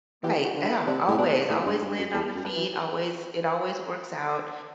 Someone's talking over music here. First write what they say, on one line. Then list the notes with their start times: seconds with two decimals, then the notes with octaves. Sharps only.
Right. Ah, yeah, always, always land on the feet. Always it always works out,
0.24 E3 G4
0.45 F#4
0.56 D3
0.65 E4
0.87 C3 D4
1.08 A2
1.19 B2 D4
1.50 A2 D4
1.66 G2
1.82 G2
1.98 F#2
2.13 E2 A4
2.35 F#2
2.45 B4
2.56 E3